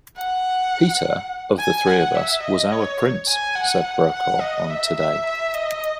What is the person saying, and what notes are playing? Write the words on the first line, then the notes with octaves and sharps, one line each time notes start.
"Peter, of the three of us, was our prince," said Brokaw on "Today".
F#5
G#5
F#5
E5
D#5
C#5
G#5
F#5
F#5
F#5
D#5
E5
E5
E5
D#5